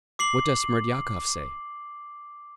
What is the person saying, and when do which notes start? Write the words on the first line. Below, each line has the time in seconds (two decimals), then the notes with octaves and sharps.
What does Smerdyakov say?
0.19 D6 C7 F#7